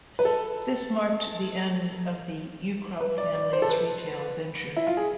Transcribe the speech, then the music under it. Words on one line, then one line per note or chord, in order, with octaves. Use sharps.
This marked the end of the Ukrop family's retail venture.
B4
A4
B4
D5
D5
C5
A4
B4
E4
F4
G#4